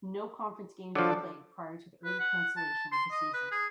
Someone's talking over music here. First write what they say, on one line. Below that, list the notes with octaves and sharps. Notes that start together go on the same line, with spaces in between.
No conference games were played prior to the early cancellation of the season.
F3 F#3 D4 A4 D5
B4
F#5
A5
C6
D#5
B4
G#4